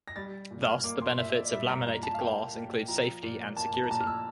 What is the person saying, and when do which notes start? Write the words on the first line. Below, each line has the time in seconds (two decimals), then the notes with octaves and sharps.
Thus, the benefits of laminated glass include safety and security.
0.08 A#6
0.16 G3 A6
0.51 A#2
0.62 F6
0.84 A#3 D6
1.02 C6
1.18 A#2 E5
1.30 E5
1.36 D5
1.52 G3 E5
1.69 A#5
1.87 A#2 A#5
2.03 A5
2.15 F5
2.20 A#3 G5
2.54 A#2
2.88 F3 A#5
3.23 A#2
3.57 A#3 A5
3.74 A5
3.84 A#5
3.90 A#2 A5
4.01 F6
4.07 E6